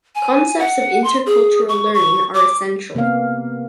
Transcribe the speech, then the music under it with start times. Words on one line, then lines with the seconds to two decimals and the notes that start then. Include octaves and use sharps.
Concepts of intercultural learning are essential.
0.15 G#5
0.59 F#5
1.04 C6
1.26 G#4
1.69 C#6
1.94 C#6
2.34 D6
2.95 C3 A#3 B3 F5